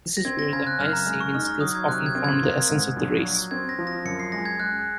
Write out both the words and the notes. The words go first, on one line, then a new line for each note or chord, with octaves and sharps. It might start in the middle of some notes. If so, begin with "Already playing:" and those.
This is where the highest sailing skills often form the essence of the race.
A#6
C4 G#6
A#6
C#3 G#6
F#6
F#2 F6
A#5
G#3
C#6
D#4 F6
C#6
F#3 D#6
G#6
C3 F#6
G#6
C4
G#6
A#3
G#2
A#1
F#3
C4 G#6
A#6
F3
A#6
F#2 C#7
C7
G#3 A#6
G#6
G#3 F#6